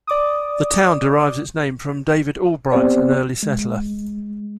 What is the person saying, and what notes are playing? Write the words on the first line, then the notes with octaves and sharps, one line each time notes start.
The town derives its name from David Albright, an early settler.
D5 D6 D#6
B3 C4 G4 C5 D5
G#3